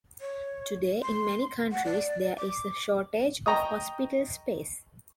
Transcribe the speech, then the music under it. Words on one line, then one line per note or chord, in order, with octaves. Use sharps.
Today in many countries there is a shortage of hospital space.
C#5
C6
F#5
D5
D6
D#5 G5 A#5 C#6 D#6